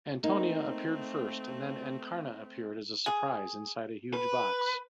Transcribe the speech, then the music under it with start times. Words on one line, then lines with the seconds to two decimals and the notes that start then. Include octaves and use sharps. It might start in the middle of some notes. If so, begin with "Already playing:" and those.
Antonia appeared first and then Encarna appeared as a surprise inside a huge box.
0.23 A3 A#3 C4 D#4
3.06 G#4
4.13 B4